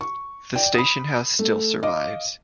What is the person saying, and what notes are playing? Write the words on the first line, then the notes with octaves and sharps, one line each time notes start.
The station house still survives.
C#6
D5 G5
B5 D#6
A3
D#5 F5 D6